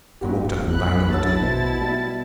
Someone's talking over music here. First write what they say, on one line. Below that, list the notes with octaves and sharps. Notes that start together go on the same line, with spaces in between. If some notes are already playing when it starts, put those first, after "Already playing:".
I walked up and banged on the door.
G1 A#2 F#4 G4
A#1 B5 F#6
D3 F#3 E4 A5 E6 A6
B2 C5
G3